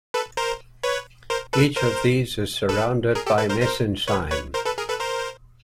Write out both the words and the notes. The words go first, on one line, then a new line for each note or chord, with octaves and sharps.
Each of these is surrounded by mesenchyme.
A4 B4
A#4 C5
B4 C#5
A#4 C5
A4 B4
A#4 C5
A4 B4
G#4 A#4
G4 A4
A4 B4
A#4 C5
A#4 C5
B4 C#5
B4 C#5
A#4 C5
A4 B4
G#4 A#4
A4 B4
A#4 C5